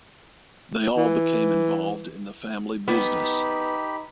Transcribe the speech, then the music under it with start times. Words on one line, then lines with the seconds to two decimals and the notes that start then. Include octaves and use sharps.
They all became involved in the family business.
0.97 E3
2.88 B3 D#4 G4 B5